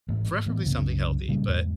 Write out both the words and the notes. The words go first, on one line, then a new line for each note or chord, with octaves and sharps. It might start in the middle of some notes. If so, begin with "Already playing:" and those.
preferably something healthy, but
A1 G#2
A2 E3 B3
C2 F#2 C#3
A#2 C#3 G3
E2 G#2